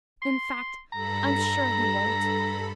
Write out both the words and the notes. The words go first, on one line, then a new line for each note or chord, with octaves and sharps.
In fact, I'm sure he won't.
C6
G2 A4 A#5 B5